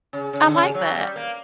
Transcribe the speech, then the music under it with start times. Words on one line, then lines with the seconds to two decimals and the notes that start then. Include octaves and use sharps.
I like that.
0.13 C#3
0.33 C#3
0.46 D3
0.54 C#3
0.75 F#3
0.95 G3
1.16 A#3